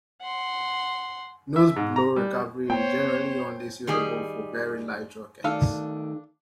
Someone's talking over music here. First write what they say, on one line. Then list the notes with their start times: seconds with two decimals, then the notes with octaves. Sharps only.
Nose-blow recovery is generally only suitable for very light rockets.
0.21 F#5 C6
1.56 E5
1.76 G#2
1.96 A#5
2.16 G3
2.70 B3 C5 C#5 G5
3.87 D#3 G3 G#4 D#5
5.44 D#3 A3 D4 A4 F5